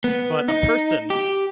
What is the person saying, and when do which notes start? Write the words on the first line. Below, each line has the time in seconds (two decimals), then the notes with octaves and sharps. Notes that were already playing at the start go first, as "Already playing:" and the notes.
but a person
0.04 B3
0.48 D#4
1.10 G4